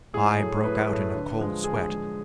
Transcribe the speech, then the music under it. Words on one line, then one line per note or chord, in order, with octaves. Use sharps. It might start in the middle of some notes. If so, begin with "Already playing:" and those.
I broke out in a cold sweat.
A2 G#4
F#3 A3
A2 B4
F#3 A3
D3
F3 G#3
D3 G#4
F3 G#3